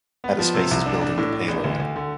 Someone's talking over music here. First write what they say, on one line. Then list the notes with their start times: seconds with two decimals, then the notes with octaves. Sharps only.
Eta Space is building the payload.
0.24 B3
0.39 F3
0.54 C3
0.71 C2
0.86 D4
1.01 D4
1.18 A2
1.33 D4
1.48 A1
1.64 D2
1.80 D2
1.96 D3